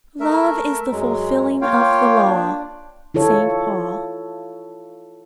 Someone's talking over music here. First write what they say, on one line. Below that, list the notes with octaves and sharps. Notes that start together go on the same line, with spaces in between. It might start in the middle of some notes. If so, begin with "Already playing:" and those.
Love is the fulfilling of the law.--St. Paul.
A3 A#4 E5
F#2 F#3 G#3
A#3 F4 C#5 F5 G5
D4
E4 F4 A4 C#5